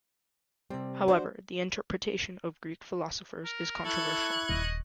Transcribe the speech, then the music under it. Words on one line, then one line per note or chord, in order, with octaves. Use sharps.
However, the interpretation of Greek philosophers is controversial.
C3 G3 C4
D4 F#4 C5
A#4
E4 A4 C#6 F#6 G#6
D#1 D#5